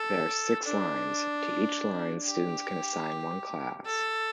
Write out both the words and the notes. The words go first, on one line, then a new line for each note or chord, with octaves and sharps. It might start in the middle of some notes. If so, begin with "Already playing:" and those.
There are six lines; to each line students can assign one class.
Already playing: A4
D4
G4
A4